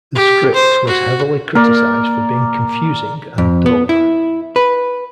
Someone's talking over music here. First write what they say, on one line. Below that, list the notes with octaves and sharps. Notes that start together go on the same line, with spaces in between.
The script was heavily criticized for being confusing and dull.
G4
C5
F#4
A#3 A#4 D5
F2
B3
E4
B4